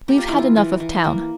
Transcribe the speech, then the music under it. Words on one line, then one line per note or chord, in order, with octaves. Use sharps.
We've had enough of town.
A#3 G4
F4
E3 E4
F4
E3
E3
A#3